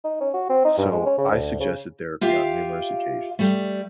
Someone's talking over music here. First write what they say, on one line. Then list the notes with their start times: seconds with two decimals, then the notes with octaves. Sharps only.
So, I suggested therapy on numerous occasions,
0.05 D#4
0.21 C#4
0.34 F#4
0.49 C4
0.65 D#4
0.78 G2
0.92 G#3
1.06 C#4
1.18 C#3
1.31 D2
1.60 C#3
2.21 F4 G4 E5 F5
3.39 G3 A3